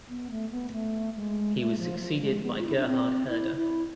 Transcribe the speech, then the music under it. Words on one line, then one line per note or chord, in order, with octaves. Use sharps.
He was succeeded by Gerhard Herder.
B3
A3
B3
A3
G#3
A3
F3
F3
G#3
B3
F4
E4
D4
C4
E4
E4